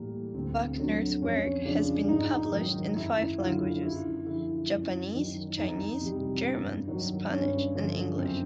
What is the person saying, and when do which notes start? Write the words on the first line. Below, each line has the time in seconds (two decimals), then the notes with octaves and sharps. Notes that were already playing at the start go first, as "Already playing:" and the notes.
Buckner's work has been published in five languages: Japanese, Chinese, German, Spanish and English.
Already playing: A2 E3 G3 A#3
0.34 D2 C4
0.78 D3 F#3
1.21 F2 C#4
1.65 C#3 F3 D4
2.08 G#2 D#4
2.52 D#3 F#3
2.96 F#2 E4
3.40 D3 F#3 F4
3.83 F#2 E4
4.26 D3 F3 E4
4.70 F#2
5.14 D#3 F#3
5.57 F2 D#4
6.01 C3 E3 G3
6.45 G2
6.88 D#3 F#3
7.31 G2 C#4
7.75 D3 F3
8.18 F#2 C4